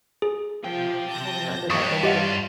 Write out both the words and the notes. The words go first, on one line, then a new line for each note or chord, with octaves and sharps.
Holding on to that negative,
G#4
C3 F3 G5
A5 G6 A#6
G2 C#5 E5 A5 C#6 D#6
F4 G4 D#5 F#5